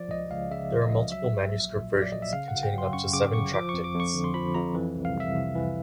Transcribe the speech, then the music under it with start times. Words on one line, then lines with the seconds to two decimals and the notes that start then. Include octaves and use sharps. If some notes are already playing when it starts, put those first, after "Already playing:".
There are multiple manuscript versions, containing up to seven tractates.
Already playing: F3 D5
0.11 C#2 D#5
0.31 C#2 F5
0.51 C#3 E5
0.71 F3
0.82 D#5
0.92 C#2
1.12 F#3 E5
1.33 A#1
1.52 A#1
1.72 A#2
1.92 F#3
2.02 D5
2.12 A#1 D#5
2.22 E5
2.33 C#3 F5
2.48 F#5
2.53 G1
2.63 G5
2.73 F#3 C6
2.93 F#2 C#6
3.13 C#3 D6
3.33 G1 C#6
3.54 F3 D6
3.69 F2 C#6
3.84 D6
3.95 F2
4.00 C#6
4.14 D3
4.24 C6
4.34 F3 B5
4.54 F2 A#5
4.75 E3
4.95 C2
5.05 F5
5.15 C2 E5
5.35 C3
5.56 E3